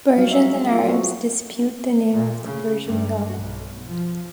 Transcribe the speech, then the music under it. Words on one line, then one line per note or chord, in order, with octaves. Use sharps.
Persians and Arabs dispute the name of the Persian Gulf.
F#3 G3 B3 D#4 F#4 F5
E5
G#3
C4 F4 E5
F#3 A3 B3 C4 F#4
A#2
C#3
G2
B1
F3